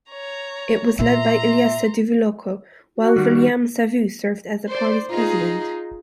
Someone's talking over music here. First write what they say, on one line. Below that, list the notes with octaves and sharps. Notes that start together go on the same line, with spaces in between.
It was led by Iliesa Duvuloco, while Viliame Savu served as the party's President.
C#5 A#5
A#2 F4 E5 A#5 C6
F#4
D#3 G3
C5 D5
D#4 F4 G#4